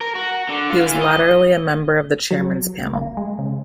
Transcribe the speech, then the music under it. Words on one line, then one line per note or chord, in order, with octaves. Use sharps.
He was latterly a member of the Chairman's Panel.
A#4
F#4
D3
F4
E3
D#5
F#3
C#2
A#3
G#3
C#3